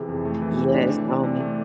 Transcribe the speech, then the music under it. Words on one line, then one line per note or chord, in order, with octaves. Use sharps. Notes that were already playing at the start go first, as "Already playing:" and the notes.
Yes, call me
Already playing: C3 E3 G#4
F2
A3
E3
C3
A3 D4
E3
C3
C3
A3